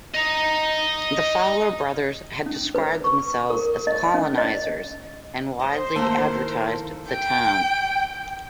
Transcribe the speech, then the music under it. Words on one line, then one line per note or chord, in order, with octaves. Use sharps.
The Fowler brothers had described themselves as "colonizers" and widely advertised the town.
D#5 A#5
C#4
B4
C#6
A#4
D#5
C#4
D#5
C5 D#5
D#3 A#3 E4 A4
G5